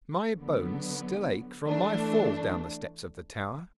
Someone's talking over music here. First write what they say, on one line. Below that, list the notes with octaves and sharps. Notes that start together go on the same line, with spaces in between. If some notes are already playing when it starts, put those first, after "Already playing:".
My bones still ache from my fall down the steps of the tower.
D3 F#3 B3
E3 A3 D4